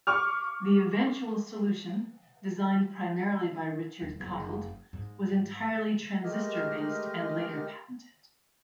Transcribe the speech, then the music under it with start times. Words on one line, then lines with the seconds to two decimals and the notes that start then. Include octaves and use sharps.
The eventual solution, designed primarily by Richard Cobbald, was entirely transistor-based, and later patented.
0.07 C#6 D6 F6
4.02 D#1
4.20 F#1
4.93 G#2
6.24 G#3 A3 G4 A#4 D#5 F6